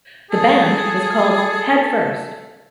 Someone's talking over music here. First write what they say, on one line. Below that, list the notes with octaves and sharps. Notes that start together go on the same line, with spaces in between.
The band was called "Head First".
G#4 A4